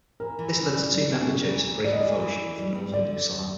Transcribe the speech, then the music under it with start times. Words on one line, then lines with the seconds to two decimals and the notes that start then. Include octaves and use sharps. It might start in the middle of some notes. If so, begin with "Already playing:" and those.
This led to two member churches breaking fellowship with the Northern New Salem.
0.20 E3 A#4
0.39 E3
0.56 C#3
0.74 G3
0.93 G3
1.11 C#3
1.30 D2
1.48 E3
1.66 D2
1.84 G3 D5
1.92 D#5
2.01 E3 D5
2.21 E3
2.40 D#2
2.58 G3
2.75 C4
2.93 D3 D5
3.12 C4
3.31 D#2